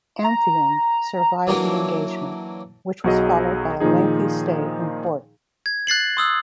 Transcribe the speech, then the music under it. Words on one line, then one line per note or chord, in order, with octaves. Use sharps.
"Amphion" survived the engagement, which was followed by a lengthy stay in port.
A#5
E3 F#3 A#3 C#4 D4
B1 F#3 F#4 G#4 D#5
A#2 D#3 F3 D#4 G#4
G#6
F#6 A6 C7 F#7
C6 D#6 E6 F#6